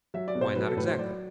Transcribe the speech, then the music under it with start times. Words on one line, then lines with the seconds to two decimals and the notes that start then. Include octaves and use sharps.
Why not exactly?
0.14 F#3 E5
0.28 D5
0.35 B2
0.41 C5
0.55 F#3 B4
0.67 A4
0.76 A2 B4
0.88 C5
0.98 F#3 D5